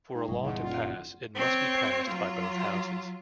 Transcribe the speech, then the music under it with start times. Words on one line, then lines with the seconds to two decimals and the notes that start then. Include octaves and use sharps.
For a law to pass, it must be passed by both houses.
0.14 G#2 D#5 G5
0.28 F#1 A#2 G3 D#4 F#5 C#6
0.44 E2 C#3 D#5 F#5 C6
0.63 D#1 E4 F4 D5 F#5
1.34 C4 C#5
2.07 F#3 F4